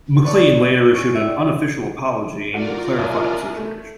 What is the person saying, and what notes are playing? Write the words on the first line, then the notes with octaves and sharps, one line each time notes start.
MacLean later issued an unofficial apology aimed to clarify the situation.
A4 B4 C#5 D5
C#4 F#4 G#4
G3 B3 E5
A3 F4 F#4 A#4 D5
C2 F#2
A3